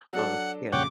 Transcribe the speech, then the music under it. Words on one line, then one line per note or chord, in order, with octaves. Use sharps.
Uh, yeah.
F#3 D4 A4 F#5
F2 A#2 C#3 C#5 F#5 G5 D6